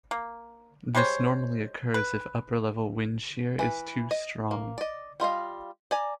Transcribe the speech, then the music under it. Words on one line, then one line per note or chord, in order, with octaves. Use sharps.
This normally occurs if upper-level wind shear is too strong.
A#3
G3 G#3 C5 C#5
B4
E3 B4
D#5
A#3
D5 D#5
G3 F4 D#5 F5
D5 G#5 A#5